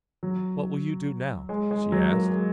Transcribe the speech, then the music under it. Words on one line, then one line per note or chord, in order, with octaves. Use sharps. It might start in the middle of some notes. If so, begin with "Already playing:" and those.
"What will you do now?" she asked.
F#3
G#3
G#3
F#3
A#3
G#3